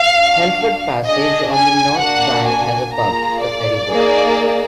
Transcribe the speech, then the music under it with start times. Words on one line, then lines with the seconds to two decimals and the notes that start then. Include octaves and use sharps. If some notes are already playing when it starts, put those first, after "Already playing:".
Helford Passage, on the North bank, has a pub, The Ferryboat.
Already playing: F5
0.13 D4 F#4
1.06 D4 G#4 D#5
1.54 G#5
2.01 A#3 D4 F#4 F#5
2.47 G#5
2.95 A#3 F4 G#4 A#5
3.42 D5
3.90 A#3 D#4 G#4